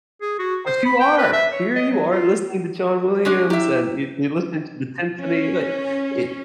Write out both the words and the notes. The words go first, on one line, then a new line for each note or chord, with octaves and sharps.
But you are! Here you are listening to John Williams, and you you're listening to the symphony, like it's
G#4
F#4
C5
B5
G5
B4
E5
C#5
D#5
F#3
F4
G#3 C#4 D4
E4 G4 E5
C#4